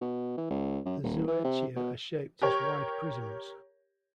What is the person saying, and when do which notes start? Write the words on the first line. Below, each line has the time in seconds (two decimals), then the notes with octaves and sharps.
The zooecia are shaped as wide prisms.
0.01 B2
0.37 E3
0.50 C#2
0.85 F#2
1.03 D#1
1.27 E3
1.45 C3
1.76 B2
2.42 G4 A#4 C#5